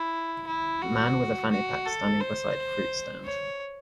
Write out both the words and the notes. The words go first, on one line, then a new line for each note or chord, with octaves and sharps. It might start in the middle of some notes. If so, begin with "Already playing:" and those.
Man with a fanny pack standing beside fruit stand.
Already playing: E4
E4
F#4
F#4
A4
C5
C#5